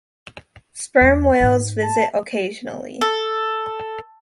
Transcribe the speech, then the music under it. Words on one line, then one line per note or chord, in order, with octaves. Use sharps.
Sperm whales visit occasionally.
E2 G#3
G#2 G#3
A5
A4